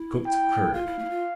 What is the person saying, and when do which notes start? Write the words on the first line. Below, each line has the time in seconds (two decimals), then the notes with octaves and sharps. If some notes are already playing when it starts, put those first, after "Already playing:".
Cooked curd.
Already playing: E4
0.26 G5
0.73 F4 F5
0.86 E4
0.99 A3
1.05 E4
1.10 F4